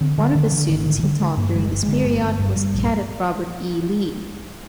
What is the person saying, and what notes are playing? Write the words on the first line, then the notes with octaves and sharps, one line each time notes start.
One of the students he taught during this period was Cadet Robert E. Lee.
D3 C4
D3 G3
D3 D#3
D3 D#3
G#1 D#3
D3 D#3
D3 G3
D3 G#3
G2 A#3
G1 G3
G#3
G1
G#3
D3
G1
G1
G2
G2
A#1